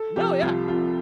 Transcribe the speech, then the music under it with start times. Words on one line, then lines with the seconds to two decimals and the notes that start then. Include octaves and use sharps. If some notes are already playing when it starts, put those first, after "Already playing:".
No, yeah.
Already playing: A4
0.16 C3 F3 G4
0.42 C2 F4
0.68 C3 F3 F4